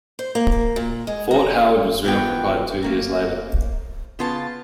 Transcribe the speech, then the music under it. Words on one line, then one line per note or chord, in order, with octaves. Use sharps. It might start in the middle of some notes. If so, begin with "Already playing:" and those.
Fort Howard was reoccupied two years later.
C5
A#3
A#2
G#3
A#5
E3 F3 B3 A#4 G5
A3 A#3 A#5
C#3 B3 F4 C#5 A5